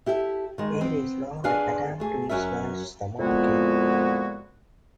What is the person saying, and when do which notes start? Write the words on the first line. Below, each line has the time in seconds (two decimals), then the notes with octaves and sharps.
It is not an attempt to smash the market.
0.06 E4 G4 A4 E5
0.58 D#3 G#3
0.81 B3 C4
1.44 B3 D4 G#4 F5 G#5
2.00 A3 G#4
2.29 F#2 F#3 C#4 A#4 E5
3.19 F2 A#2 G#3 B3 E4 F#4